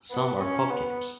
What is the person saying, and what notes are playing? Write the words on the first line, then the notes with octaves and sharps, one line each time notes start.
Some are pub games.
B3
C#4
B3